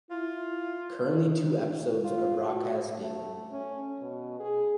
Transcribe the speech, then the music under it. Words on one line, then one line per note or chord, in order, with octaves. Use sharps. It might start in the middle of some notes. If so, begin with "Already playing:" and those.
Currently two episodes are broadcast daily.
E4 F4
F4
F#4
A3
C#4
B2
G#4